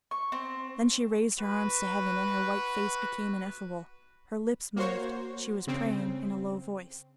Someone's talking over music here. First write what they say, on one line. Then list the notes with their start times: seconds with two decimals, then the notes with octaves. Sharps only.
Then she raised her arms to heaven, and her white face became ineffable; her lips moved; she was praying in a low voice.
0.11 C#6
0.32 C4
1.39 F#4 B4
4.76 A#3 F#4 C5 C#5
5.67 C#3 C4